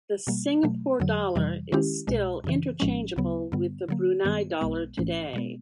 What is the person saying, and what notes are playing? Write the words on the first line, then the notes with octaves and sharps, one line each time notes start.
The Singapore dollar is still interchangeable with the Brunei dollar today.
B2 G3 A#3
B2 F#3 A3
F2 D3 F#3
F2 C3 E3 G3
D#3 G#3 C#4 E4 G4
C2 B2 G#3
F#2 C#3 E3
A#1 A2 F3 G#3 C#4
D2 C#3 F#3 B3
G2 D3 G3 B3
D3 F#3 A#3
G2 D#3 G3 B3
B1 B2 G#3 B3
A1 G#2 E3 A3 C#4
B2 G#3 B3